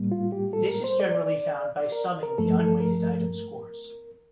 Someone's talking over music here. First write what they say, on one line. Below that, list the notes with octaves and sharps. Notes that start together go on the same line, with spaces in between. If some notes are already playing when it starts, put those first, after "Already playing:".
This is generally found by summing the un-weighted item scores.
Already playing: A2 G3 A#3
F4
G4
A4
A#4
C5
D5
D5
D5
A#4
A#4
G2 F3 A3 A4
A4
A#4